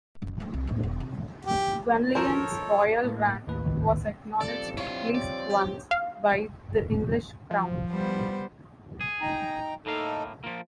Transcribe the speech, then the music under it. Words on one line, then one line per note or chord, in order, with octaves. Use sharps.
Gwenllian's royal rank was acknowledged at least once by the English Crown.
F#1
F3 A3
C2
A2 A3
E1 D#3
C3
G4
F3 A4 A#4 C5 C#5
A2 A#3
D#2 A2 B4
G#1 C#2 D#3
F3 G3 C4 A4 D5
E4 C#5 F5
D5
G4
F5
F3
G3 B3 C5
G#4
D#4 G5 A#5
A2 A#3 D#4 A4 F5
F3 A#3 F4